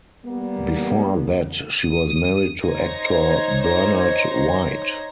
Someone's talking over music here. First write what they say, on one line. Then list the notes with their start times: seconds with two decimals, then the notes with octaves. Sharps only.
Before that, she was married to actor Bernard White.
0.24 G3 A#3 B3
1.77 D#6
2.64 D#4 C5 C#5 G#6 A#6